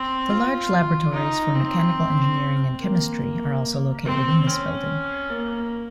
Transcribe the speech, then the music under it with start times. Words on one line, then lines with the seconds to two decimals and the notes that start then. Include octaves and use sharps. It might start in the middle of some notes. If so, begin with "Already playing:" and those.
The large laboratories for Mechanical Engineering and Chemistry are also located in this building.
Already playing: C4
0.30 F4
1.12 D#4
1.54 C4
2.80 A#3
4.05 C4
4.46 C#4
5.29 A#3